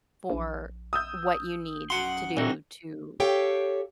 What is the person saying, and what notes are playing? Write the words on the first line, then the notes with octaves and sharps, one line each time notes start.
for what you need to do to
A#1
D#6 E6 G6
F#2 F#4 F#5 C6
C2 A#2 E3 D#4 F#4
G4 A4 C#5 F5 G5